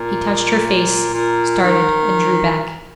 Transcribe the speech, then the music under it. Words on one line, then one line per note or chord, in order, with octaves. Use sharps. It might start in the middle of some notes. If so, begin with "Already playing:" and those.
He touched her face, started, and drew back.
Already playing: A#2
A#2
D#3